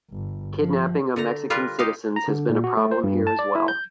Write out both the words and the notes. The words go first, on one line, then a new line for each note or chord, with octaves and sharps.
Kidnapping of Mexican citizens has been a problem here as well.
G1
F3
D3 A3 A#5
G3 F4 A#4 B4
D#4 G4 F5
A#5
D3
A#2
F#4
A3
C5
G2
A5
D5
E4
G6